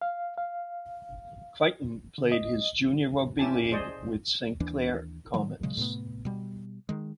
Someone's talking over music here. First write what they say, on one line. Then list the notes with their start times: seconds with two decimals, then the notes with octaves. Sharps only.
Crichton played his junior rugby league with St Clair Comets.
0.02 F5
0.38 F5
2.18 D3
2.32 D#5
3.39 C#4 E4 G4 G#5 A5
3.72 G#4 C5 D5 D#5
4.60 D#2 E3 D4
5.34 A2 D#3 F#3
5.63 A#2 C#3 F#3 G#3
5.77 A2 C3 A3 B3
6.25 B2 G3
6.89 D#3 G#3